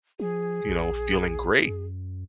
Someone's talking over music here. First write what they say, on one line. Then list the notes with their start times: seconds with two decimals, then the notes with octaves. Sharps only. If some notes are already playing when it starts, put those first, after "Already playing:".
you know, feeling great
0.20 F3 G#4
0.67 A#1
1.66 F#2